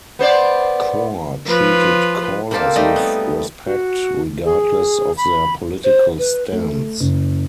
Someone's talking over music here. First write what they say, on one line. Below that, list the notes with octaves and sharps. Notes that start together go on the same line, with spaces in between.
Core treated callers with respect regardless of their political stance.
B3 C5 D5
F3 B4
A#3 C4 G4 A4 C5 F5
G3 A3 D#4 D#5
B3
F#4
G#4
B5
C5
B4
A3
F#1